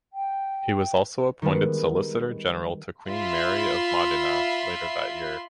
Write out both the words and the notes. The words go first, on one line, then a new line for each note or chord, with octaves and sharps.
He was also appointed solicitor general to Queen Mary of Modena later that year.
G5
D#3 G3 G#3 B3
F4 E5 B5 C6